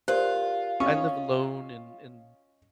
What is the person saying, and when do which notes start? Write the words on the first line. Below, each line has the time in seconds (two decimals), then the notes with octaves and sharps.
I live alone and and
0.08 F4 G4 A#4 C5 D5
0.80 C#4 C#5 D#5 F5 C#6 D#6